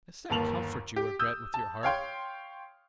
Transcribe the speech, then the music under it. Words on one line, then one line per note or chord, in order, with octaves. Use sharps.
It's not comfort you regret, with your heart!
G1 D#2 A#3 A5 F7 F#7
G4
D#6 E6 G6
A5
C#5 F5 G5 C6